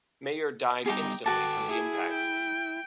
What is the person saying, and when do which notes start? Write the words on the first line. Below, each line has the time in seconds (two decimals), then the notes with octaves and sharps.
Mayer died instantly from the impact.
0.86 G3 B3 D#4 G4 G#4
1.26 F#4 A4 B4 G5 A5 D6
1.69 E4 G#4
2.10 G5